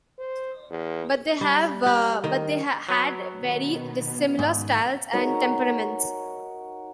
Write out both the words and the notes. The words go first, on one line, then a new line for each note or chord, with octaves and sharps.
But they had very dissimilar styles and temperaments.
C5
E2
G3
G4
D#3
F#3 B4 C#5
B2 D#3 B3
G#2
D#4 F#4 A#4 C#5